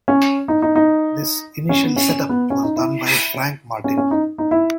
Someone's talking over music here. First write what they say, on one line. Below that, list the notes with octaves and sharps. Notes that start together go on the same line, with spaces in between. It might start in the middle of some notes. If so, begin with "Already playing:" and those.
This initial set up was done by Franck Martin.
C#4
D#4
D#4
D#4
C#4
B3
C#4
C#4
B3
C#4
D#4
E4
C#4
C#4
D#4
D#4
E4